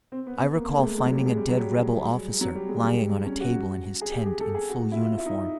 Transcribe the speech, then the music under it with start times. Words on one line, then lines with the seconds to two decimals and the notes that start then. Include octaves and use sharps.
I recall finding a dead Rebel officer, lying on a table in his tent, in full uniform.
0.12 C4
0.27 B3
0.41 B3
0.55 A#3
0.69 A#3
0.79 G#3
0.83 A3
0.98 G#3
1.06 F#3
1.12 G3
1.26 G#3
1.37 G3
1.48 F#3
1.58 G3
2.41 F#3
2.55 G3
2.69 G#3
2.83 G3
3.26 C#4
3.40 F#4
4.01 G#4
4.12 G4
4.26 G#4
4.40 A4
4.55 G#4
4.69 F#4
4.92 E4
4.97 F4
5.18 E4
5.26 D#4